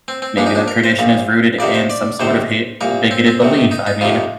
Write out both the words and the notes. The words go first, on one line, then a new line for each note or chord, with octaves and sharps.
maybe that tradition is rooted in some, sort of, ha bigoted belief. I mean,
C4
C4
A#1 A#2 D4
D#4
D4
A#4
C5
A#1 A#2
F2 C3 D#3 D5
C5
D5
D2 C3 D#3 C5
C2 A#2 A#4
C4
C4
D2 C3 D#3
D#4
D#4
F2 C3 D#3 F4